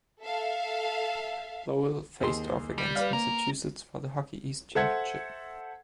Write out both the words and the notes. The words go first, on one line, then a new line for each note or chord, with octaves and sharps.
Lowell faced off against Massachusetts for the Hockey East championship.
A4 E5 F5
D#2 G#4 C6
G3
B4 D5 F5
A#3 A#4
A4 C5 E5 F#5 G#6